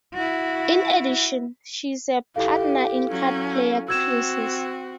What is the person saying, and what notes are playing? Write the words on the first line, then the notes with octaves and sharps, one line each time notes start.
In addition, she is a partner in Card Player Cruises.
E4 F#4
E4 G4 A4 F5
F#3 C#4
C4 F#4 E6 G#6 E7